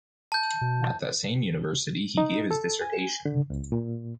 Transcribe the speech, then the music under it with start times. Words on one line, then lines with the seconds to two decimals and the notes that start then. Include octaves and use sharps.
At that same university, he gave his dissertation.
0.32 A5 G6
0.61 B2
2.18 D#4
2.51 A4
2.81 G#5
3.25 D3
3.50 C#2
3.72 A#2